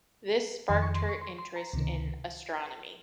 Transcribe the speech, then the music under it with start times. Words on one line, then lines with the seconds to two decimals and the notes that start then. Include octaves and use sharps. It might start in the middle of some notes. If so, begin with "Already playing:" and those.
This sparked her interest in astronomy.
0.69 F2 D#3 C6
0.82 C#6
0.95 C6
1.09 C#6
1.21 C6
1.38 C6
1.56 A#5
1.73 C#2 C3 D#3